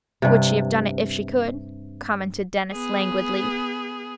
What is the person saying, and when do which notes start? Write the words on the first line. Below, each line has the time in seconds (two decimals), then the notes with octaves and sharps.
"Would she have done it if she could?" commented Denis, languidly.
0.22 G2 C3
2.72 B3 G#4